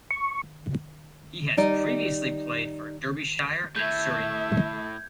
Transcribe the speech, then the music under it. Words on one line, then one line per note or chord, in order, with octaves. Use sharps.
He has previously played for Derbyshire and Surrey.
C#6
G3 D#4 D5 D#5
A2 A3 E5 G6 G#6